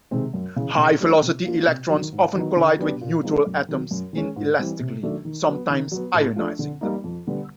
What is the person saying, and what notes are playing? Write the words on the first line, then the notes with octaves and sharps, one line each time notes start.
High-velocity electrons often collide with neutral atoms inelastically, sometimes ionizing them.
C3 D#3 G#3 C4
F#2
C#3 E3
C#3
F#3 A3 D4 F#4
C3
F3 A#3 D4 F4
C3
D#3 F#3
G#2
D#3 F#3 B3 D#4
D3
F#3 B3 D4 G4
A#2
F3 G#3 C4 D#4
F#2
D#3 F#3
F#2
D#3 G#3 C#4
G#2
E3 G3 C4
C3
D#3 F#3 A3 D4
D#3
F#3 B3
D#3
F#3 B3
A2
F3 A3 D4
D3
G3 A#3 D#4
F2
D3 G3 B3